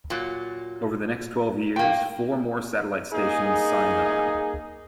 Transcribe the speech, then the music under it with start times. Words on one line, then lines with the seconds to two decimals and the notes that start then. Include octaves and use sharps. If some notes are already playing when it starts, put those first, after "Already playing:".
Over the next twelve years, four more satellite stations signed on.
0.10 A#2 F#3
1.76 G2 A#3 G5
3.12 A#3 D#4 G#4